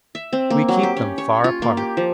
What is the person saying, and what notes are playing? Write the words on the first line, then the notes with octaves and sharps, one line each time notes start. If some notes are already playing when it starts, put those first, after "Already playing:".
We keep them far apart.
E5
C4
A#3
F#3
G4
C#4
C#5
F4
A#3
G4
F3